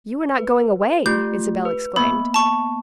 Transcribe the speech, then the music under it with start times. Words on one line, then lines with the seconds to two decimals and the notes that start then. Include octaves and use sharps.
"You're not going away!" Isabel exclaimed.
0.38 B4
1.06 A3 F4 G4 G6
1.65 B4
1.96 A#3 B3 B5
2.34 A5 C#6